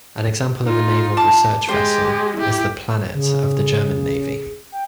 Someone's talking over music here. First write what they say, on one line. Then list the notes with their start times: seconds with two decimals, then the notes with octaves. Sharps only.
An example of a naval research vessel is the "Planet" of the German Navy.
0.65 D#4 F4
1.17 A5 D6
1.69 G#3 G4 C5
2.36 E4 G4
3.14 C#3 G#4
4.72 G5